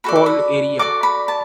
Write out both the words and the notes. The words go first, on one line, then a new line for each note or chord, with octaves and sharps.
Paul area.
F#4 A4 D5 B5
D6
B5
F#4 A4 D5 D6
B5
A5